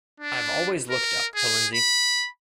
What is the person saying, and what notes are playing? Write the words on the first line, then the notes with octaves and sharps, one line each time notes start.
I've always looked up to Lindsey.
D4
A#4
G#4
B5